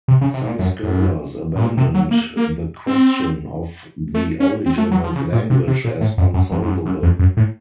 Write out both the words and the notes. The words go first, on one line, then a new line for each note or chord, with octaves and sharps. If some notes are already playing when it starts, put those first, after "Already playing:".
Some scholars abandoned the question of the origin of language as unsolvable.
C3
C#3
C3
A#2
F#2
F#2
A2
A#2
C3
F#3
A#3
A#3
C4
A3
C#4
C4
A3
F#3
F3
C#3
A#2
C3
C3
A#2
A2
F#2
F#2
F2
F2
F#2
F#2
F2
F#2
A2